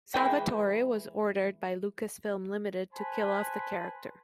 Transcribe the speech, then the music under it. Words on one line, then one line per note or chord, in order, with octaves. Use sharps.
Salvatore was ordered by Lucasfilm Limited to kill off the character.
E3 G#3 B4 G5
B4 C5 G#5 A5 B5